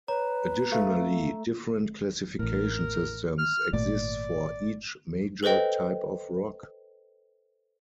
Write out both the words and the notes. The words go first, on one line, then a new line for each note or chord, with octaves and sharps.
Additionally, different classification systems exist for each major type of rock.
B4 C#5 A#5
A3 F5
A1 A2 A#4
F6
G#1 A#2 A3 D5
A4 B4 C5 D#5 G5